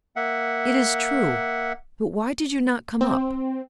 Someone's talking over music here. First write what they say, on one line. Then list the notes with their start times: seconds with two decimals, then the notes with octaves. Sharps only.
"It is true, but why did you not come up?"
0.16 A#3 E5 F#5
3.01 C4